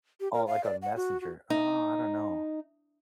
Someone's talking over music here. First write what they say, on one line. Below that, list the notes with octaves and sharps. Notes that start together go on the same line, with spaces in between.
Oh, like, on Messenger. Oh, I don't know.
G4
A#4
F5
D5
F#5
F#4
F#4
D#4